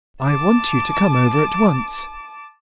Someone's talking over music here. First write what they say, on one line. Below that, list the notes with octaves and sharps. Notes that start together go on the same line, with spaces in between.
"I want you to come over at once."
A5 D6